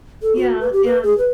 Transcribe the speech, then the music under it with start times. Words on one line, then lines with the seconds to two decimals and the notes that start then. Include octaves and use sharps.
Yeah, and
0.22 A4
0.36 F#4
0.60 B4
0.72 G4
0.85 B4
1.03 G#4
1.18 B4